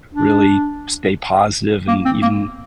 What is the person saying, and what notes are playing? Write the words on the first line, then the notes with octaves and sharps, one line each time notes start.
really stay positive and even,
D4
A#3
C4
A#3